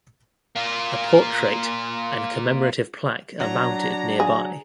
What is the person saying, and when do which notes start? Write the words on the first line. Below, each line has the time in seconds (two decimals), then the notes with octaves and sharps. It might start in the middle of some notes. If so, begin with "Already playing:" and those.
A portrait and commemorative plaque are mounted nearby.
0.56 A#3 F4
3.40 F#3 D4 A#5
4.20 G#4